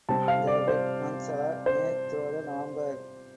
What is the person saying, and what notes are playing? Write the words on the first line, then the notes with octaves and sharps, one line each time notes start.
The wet months are May through November.
C3 G3 C4 A5
F5
D5
C5
C5